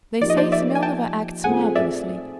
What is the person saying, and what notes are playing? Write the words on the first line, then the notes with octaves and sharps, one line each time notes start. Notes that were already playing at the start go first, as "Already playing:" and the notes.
They say Semenova acts marvelously.
F3 A#3 D#4 G4 A#4 D5
D#5
C5 D5
D5 E5
G#5
G5 A5
A3 C4 F4 G#4 F#5 G#5
D5 E5